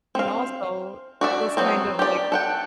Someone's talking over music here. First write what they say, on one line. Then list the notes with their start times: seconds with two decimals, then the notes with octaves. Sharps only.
And also, this kind of, like
0.15 C4 F5
1.21 F#4 D5 E5
1.57 F#3 B3 C4
1.99 G4 D5
2.32 A4 F#5 G5